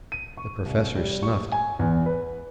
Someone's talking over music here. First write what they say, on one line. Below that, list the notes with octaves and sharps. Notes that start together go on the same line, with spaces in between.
The Professor snuffed.
D#7
C#6
C2
G3
C#6
G#5
E2
B4